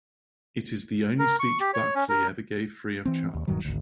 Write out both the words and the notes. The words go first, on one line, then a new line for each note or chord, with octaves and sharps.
It is the only speech Buckley ever gave free of charge.
A#4
C#6
G4
C#5
C#4
A#4
E3 C4
D#2
D#1 G2 D#3 F#3
G#1 D2